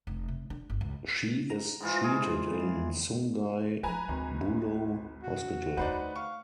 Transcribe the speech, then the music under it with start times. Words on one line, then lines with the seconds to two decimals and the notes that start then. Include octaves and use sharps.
She is treated in Sungai Buloh Hospital.
0.07 F1
0.28 C3
0.50 D4
0.70 G1
0.81 C#2
1.50 A#5
1.80 G#2 E3 F4
2.04 G#4
3.83 F3 A#3 B4 G#5 A#5
4.09 G#1 D2
5.23 F#4
5.77 D2 A3 D#4 B4 C5 D5 F#5
6.16 F5 C#6